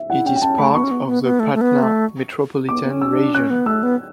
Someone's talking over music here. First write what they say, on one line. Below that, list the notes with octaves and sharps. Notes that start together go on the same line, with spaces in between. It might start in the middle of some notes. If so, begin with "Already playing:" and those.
It is part of the Patna Metropolitan Region.
Already playing: E5
E4 F#5
C#4 G5
G5
C#4 A5
A3 B5
B3 C#6
C#4
B3
B3
B3
A3
A3
B3
A3
B3 D6
B3
C#4
E6
D4
C#4 F#6
B3
A3 E6
B3